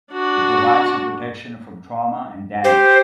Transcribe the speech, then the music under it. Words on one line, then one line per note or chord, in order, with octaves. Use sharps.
It provides some protection from trauma and damage.
D4 F#4
G4 C5